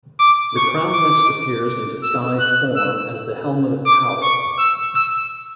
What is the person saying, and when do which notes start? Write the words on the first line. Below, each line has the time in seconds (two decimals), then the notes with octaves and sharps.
The Crown next appears in disguised form as the "Helmet of Power".
0.20 D6
0.57 C#6
0.94 D6
2.03 E6
2.40 F#6
2.76 E6
3.86 D6
4.23 C#6
4.59 E6
4.96 E6